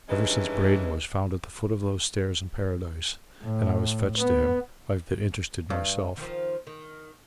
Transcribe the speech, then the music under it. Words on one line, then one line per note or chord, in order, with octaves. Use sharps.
Ever since Braden was found at the foot of those stairs in Paradise, and I was fetched to him, I've interested myself.
G2 D#3 E3 G#3 C#4 D#4
A2
B3
G2
D#3 F3
D#3